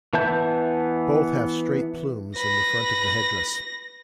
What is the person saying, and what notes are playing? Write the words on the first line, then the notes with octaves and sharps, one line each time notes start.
Both have straight plumes in the front of the headdress.
E3 B3 E5 A5 G6
B4 B5 A#6